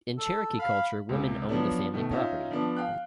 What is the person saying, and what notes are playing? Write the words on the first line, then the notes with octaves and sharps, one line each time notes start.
In Cherokee culture, women own the family property.
A4
F5 B5
C#2 C3
F3 F#3 B3 D4
B2 D#3 A3
C#4 D#4 F4 E5
F3 B3 D4
F5 G5 F#6